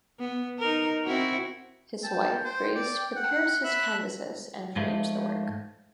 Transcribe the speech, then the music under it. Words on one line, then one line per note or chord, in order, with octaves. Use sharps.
His wife Grace prepares his canvases and frames the work.
B3
D#4 A#4
C4 E4 F#4
G5 A5
C5
D5
F#5
E5 B5 F#6
G#2 F3 A3